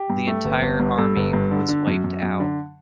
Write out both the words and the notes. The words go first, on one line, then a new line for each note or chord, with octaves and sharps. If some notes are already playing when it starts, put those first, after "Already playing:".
The entire army was wiped out.
Already playing: G4
G2
A3
G1
G1
G2
G2 A4
G1
G2
D3
D3
F#2
F#2
F#2
D3